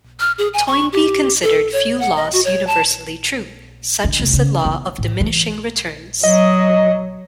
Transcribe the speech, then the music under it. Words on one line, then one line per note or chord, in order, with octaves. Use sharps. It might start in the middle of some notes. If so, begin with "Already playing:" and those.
Toynbee considered few laws universally true, such as the law of diminishing returns.
F6
G#4
G#5
C#6
G4
A4
C#5
F#5
D#5
F#4
C#5
A5
D3
F1
C#3
B3
A2
E3
F#3 D#5